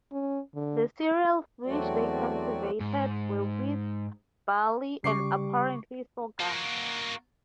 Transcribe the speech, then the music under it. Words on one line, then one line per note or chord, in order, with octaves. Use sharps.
The cereals which they cultivated were wheat, barley, and apparently sorghum.
C#4
D3
E2 F#3 A3 C4 F#4 D5
G#2
C#3 G3 C#6 D6 C7
A#3 F#4